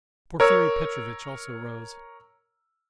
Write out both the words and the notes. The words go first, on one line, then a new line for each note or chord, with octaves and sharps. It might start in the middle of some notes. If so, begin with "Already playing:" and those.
Porfiry Petrovitch also rose.
A#4 C#5 E6